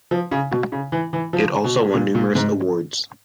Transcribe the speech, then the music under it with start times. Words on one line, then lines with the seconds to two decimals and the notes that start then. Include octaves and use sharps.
It also won numerous awards.
0.11 F3
0.31 C#3
0.51 B2
0.72 C#3
0.92 E3
1.13 E3
1.33 F3
1.64 B2
1.94 A#2
2.15 A#2
2.35 G#2